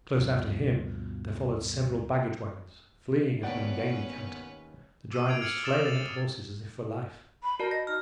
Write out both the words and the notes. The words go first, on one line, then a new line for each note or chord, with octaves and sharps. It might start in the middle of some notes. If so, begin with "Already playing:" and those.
Close after him there followed several baggage-waggons, fleeing at an ungainly canter, the drivers flailing at the horses as if for life.
D2 G2 B2 F3
D#2 A3 B3 C#4 B4 D5 F#5 G5
D6 E6 D#7
G#6 C7 D7 F7
F6 G#6 C#7 D#7 F#7
D6 D#6 A6 E7 F7
A6 E7
B5
F#4 A#4 D5 A5
D#5 A#6
D#4 F6